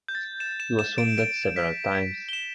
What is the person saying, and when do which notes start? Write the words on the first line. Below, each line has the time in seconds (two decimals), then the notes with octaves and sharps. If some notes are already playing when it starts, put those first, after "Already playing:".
He was wounded several times.
0.08 G6
0.15 A6
0.40 E7
0.60 E7
0.79 E7
0.98 D7
1.18 D7
1.56 B6
1.95 D7
2.29 G7
2.33 E7